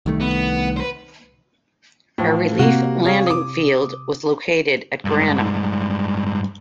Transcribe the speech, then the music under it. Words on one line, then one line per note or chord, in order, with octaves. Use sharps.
A relief landing field was located at Granum.
C2 D#3 A3
B3
B4 C5
A2 E3 F3
C3 A#3 F#4
G#4 C#5 F5
D6 D#6
G2 G#3